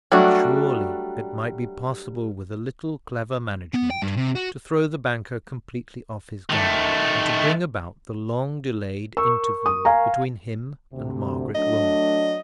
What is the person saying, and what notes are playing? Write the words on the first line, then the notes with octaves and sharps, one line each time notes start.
Surely it might be possible, with a little clever management, to throw the banker completely off his guard, and to bring about the long-delayed interview between him and Margaret Wilmot.
F#3 G3 A3 D4 F#4
B3
G5
G2
C3
F#4
D#3 A3
A#4 C#6 E6
D#6
F5 G#5 A#5
D2 C3
F#3 A3 D4 D#5